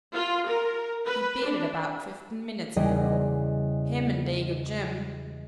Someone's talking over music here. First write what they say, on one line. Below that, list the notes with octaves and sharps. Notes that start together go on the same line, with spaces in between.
He beat it about fifteen minutes ago, him an' Dago Jim.
F4
A#4
B4
D4
E2 C#3 G3 G#4 D#5 G5